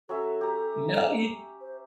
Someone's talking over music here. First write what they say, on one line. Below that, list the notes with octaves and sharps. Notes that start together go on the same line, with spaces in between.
No, you
F#3 C#4 A4 E5
G4 A#5
C5